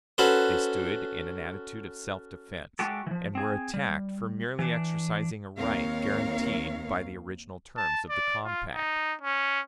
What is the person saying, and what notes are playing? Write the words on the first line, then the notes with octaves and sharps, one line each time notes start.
They stood in an attitude of self-defense, and were attacked for merely exercising a right guaranteed by the original terms of the compact.
C#4 F#4 A4 B4 C5
G#3 F#4 G4 A4
E3 F3
C4 G#4
G3
E3 D4
D#2 C4 A#4 C#5 F5
A5
D5
F4
D#4
C#4